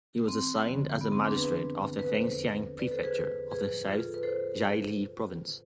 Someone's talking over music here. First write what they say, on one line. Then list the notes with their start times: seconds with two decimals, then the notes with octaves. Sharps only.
He was assigned as the magistrate of the Fengxiang Prefecture of the South Zhili Province.
0.28 C4
0.64 F2 D3 F3
1.01 B3
1.12 C4
1.24 B3 D4
1.36 G#4 B4
1.99 B4
2.08 E2 D3 F3 A4 C5
2.79 B4 D5
2.91 A4 C5
3.03 G#4 B4
3.51 A2 F3 G#4 B4
3.87 F4
3.95 G#4
4.05 A4
4.14 B4
4.23 A4 C5